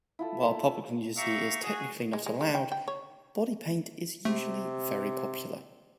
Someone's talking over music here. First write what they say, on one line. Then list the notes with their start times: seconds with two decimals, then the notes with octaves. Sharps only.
While public nudity is technically not allowed, body paint is usually very popular.
0.19 E4 F4 A4
1.16 G4 E5 F5 A#5 C#6
1.62 F#4 G#4
2.13 G#3
2.26 G#3
2.41 G#3
2.55 G5
2.72 G5
2.88 C#5
4.25 C3 A3